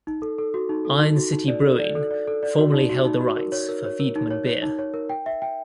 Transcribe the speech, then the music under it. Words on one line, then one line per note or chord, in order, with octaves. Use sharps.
Iron City Brewing formerly held the rights for Wiedemann beer.
D#4
A4
A4
F#4
D#4
A4
D#4
F#4
D#4
D5
A4
D5
A4
D5
A4
D5
F#4
D#4
F#4
D#4
F#4
A#4
C#5
A#4
C#5
A#4
D#4
C#5
C#5
D#4
C#5
A#4
G5
E5
G5